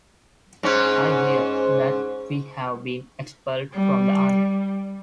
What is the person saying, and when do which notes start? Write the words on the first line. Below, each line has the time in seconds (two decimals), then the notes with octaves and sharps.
I hear that we have been expelled from the army.
0.63 G#2 C#4
3.74 G3